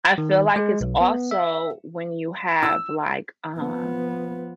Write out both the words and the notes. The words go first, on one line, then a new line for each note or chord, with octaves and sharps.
I feel like it's also when you have like, um,
D#3
G#3
B1
B3
E5
E6
F3 B3